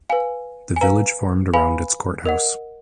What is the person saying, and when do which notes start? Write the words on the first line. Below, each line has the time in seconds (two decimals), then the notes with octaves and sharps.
The village formed around its courthouse.
0.10 B4 F5 G#5
0.76 G#5
0.81 B4 F5 A#5
1.53 B4 F5 G#5 B5
2.26 A#4 D#5 F#5